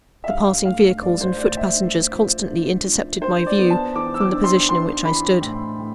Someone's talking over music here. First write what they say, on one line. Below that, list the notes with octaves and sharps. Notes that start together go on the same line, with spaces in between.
The passing vehicles and foot-passengers constantly intercepted my view, from the position in which I stood.
E5
G2 F5
A3 F5
G2 D5
C5
A3 D5
E5
D4
F3
D4
F3
D4 C5
D5
B3
A5
E3 D6
E6
D6
D4
C6
D4 C6
E3 B5
A2
A2